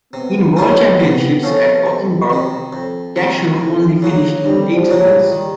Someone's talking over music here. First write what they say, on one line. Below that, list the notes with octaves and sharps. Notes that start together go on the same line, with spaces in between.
In World Championships at Gothenburg, Cacho only finished in eighth place.
C3 B3
F3 A3 C#4 F4
C3
F3 A3 C#4 F4
F2
C3 D#3
F2
C3 D#3
F2
C#3 F#3 A#3
F2 G3
F3
C#3 F#3 A#3
G3
D#3